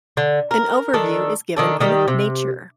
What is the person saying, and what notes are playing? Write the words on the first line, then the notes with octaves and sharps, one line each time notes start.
An overview is given in Nature.
D3
A#4
D#3 D4 A4
D#3 D4 A4
D#3 G3 G4
C3